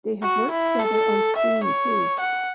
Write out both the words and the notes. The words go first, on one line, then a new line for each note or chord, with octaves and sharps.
They have worked together on screen too.
F#4
E4
A4
E5
C#5
F#5